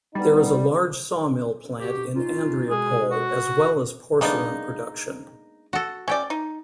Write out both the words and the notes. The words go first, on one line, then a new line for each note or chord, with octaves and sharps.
There is a large saw-mill plant in Andreapol as well as porcelain production.
D2 G3 B3 D#4
B2 F#4 G4
C#4 D#4 F4
B2 G#3 G#4
F#4
G#3 A#3 B3 D4 D#4
F#4 A4
C#4 A4 D5 G5
D#4